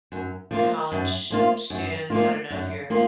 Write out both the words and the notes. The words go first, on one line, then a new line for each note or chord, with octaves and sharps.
college students I don't know if you're,
F#2
F3 A#3 F4
F#2
F3 A#3 F4
F#2
F3 A#3 F4
F#2
F3 A#3 F4